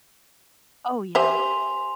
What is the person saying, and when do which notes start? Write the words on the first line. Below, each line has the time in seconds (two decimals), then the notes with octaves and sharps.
Oh, yeah.
1.15 G4 C5 E5 G#5 C6 F7